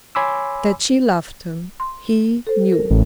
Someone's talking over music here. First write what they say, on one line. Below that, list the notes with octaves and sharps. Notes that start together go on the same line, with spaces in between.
That she loved him, he knew.
C#5 G#5 B5 C6 D6 E6
C6
A4 C5
A#4
A1